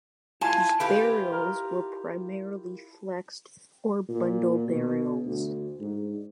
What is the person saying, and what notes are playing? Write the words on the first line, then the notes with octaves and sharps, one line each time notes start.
Burials were primarily flexed or bundle burials.
E4 F4 G#5 A5
E4 F4 G4 B4
A#4
A#2
B2
D2
G#2